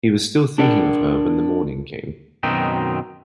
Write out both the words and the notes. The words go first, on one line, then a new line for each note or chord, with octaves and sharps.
He was still thinking of her when the morning came.
D4 A#4 D5
F#2 B2 D#3 C4 D#4